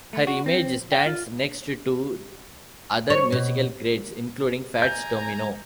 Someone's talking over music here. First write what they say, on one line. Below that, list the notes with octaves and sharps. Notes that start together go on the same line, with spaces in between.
Her image stands next to other musical greats including Fats Domino.
A3
F#4
C4
G5
F4
C#5
B2
G#5 A#5 G6